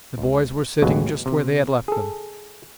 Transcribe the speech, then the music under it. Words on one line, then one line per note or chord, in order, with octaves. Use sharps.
The boys were sitting just where they had left them.
C#2
A1 D#2 B2 F#3 G#3
C3
G#4 A4